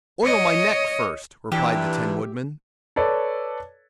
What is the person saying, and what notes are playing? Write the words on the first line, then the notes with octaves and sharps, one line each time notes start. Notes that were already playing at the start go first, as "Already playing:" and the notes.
"Oil my neck, first," replied the Tin Woodman.
C#5 D#5
G2 A#2 E3 D4 G4 E5
A4 B4 C#5 D5